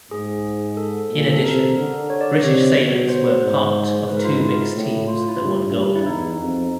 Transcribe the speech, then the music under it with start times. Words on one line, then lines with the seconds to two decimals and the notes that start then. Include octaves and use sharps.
In addition, British sailors were part of two mixed teams that won gold.
0.11 G#2 G#4
0.77 A4
1.10 A#2
1.33 A4
1.43 C3 A#4
1.77 D3
2.10 C#5
2.21 D5
2.32 D5
2.43 C3 C#5
2.76 B2
3.09 C5
3.42 G#2
4.08 G#2 B4
4.17 A#4
4.24 F4
4.32 D#4
4.40 E4
4.74 A2
5.07 F4
5.18 F4
5.29 E4
5.40 G2
5.74 G2
5.95 E4
6.06 E2 D#4
6.39 F2